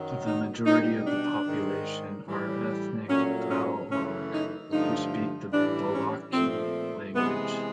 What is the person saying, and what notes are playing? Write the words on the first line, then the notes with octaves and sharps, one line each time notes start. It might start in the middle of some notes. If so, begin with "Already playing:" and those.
The majority of the population are ethnic Baloch, who speak the Balochi language.
Already playing: F#2 D#3 F#3
D#4
B2 G3 D#4
D4
G#2 D#3 G#3
A2 E3 G3
A#2 F#3 A3 C#4
C#4
F#2 C#3 E3 A3 C#4
D#4
G2 D3 F3 A3 D#4
A2 E3 G3 D4
C#4
A#2 F3 A3 C4
C3 E3 G#3 B3